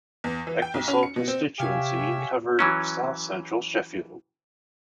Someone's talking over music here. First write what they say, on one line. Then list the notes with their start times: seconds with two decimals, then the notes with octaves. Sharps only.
Ecclesall constituency covered south central Sheffield.
0.24 E2
0.47 E3
0.62 G5
0.74 B1
0.88 C#4
1.03 C#7
1.16 B2
1.28 C4
1.60 C3 G4 C#5 E5 F5 G#5
2.59 E3 F#3 C#4